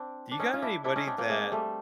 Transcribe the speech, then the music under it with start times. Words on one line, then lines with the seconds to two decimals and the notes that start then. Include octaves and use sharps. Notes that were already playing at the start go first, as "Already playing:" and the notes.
Do you got anybody that, uh,
Already playing: C4 D4
0.31 D4
0.39 C#4 D#4
0.54 F4
0.62 D4 E4
0.84 D4 E4
0.96 C#4 D#4
1.07 C4 D4
1.18 A#3 C4
1.30 G#3 A#3
1.52 G3 A3